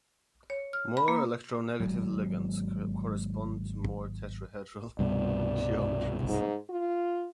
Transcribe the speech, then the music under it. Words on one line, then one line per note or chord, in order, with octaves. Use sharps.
More electronegative ligands correspond to more tetrahedral geometries.
C#5
F6
B5
A#3
G#1 F#3 G#3 A#3
C2 G2 B2 D5
G#2
F4